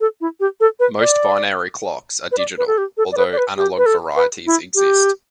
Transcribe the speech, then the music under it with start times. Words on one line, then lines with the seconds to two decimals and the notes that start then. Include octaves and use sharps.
Most binary clocks are digital, although analog varieties exist.
0.01 A4
0.21 E4
0.40 G4
0.60 A4
0.80 B4
1.00 D5
2.32 B4
2.38 D5
2.58 B4
2.67 A4
2.78 G4
2.97 A4
3.12 D5
3.17 B4
3.33 D5
3.38 B4
3.57 G4
3.78 B4
3.86 A4
4.16 B4
4.46 E4
4.75 G4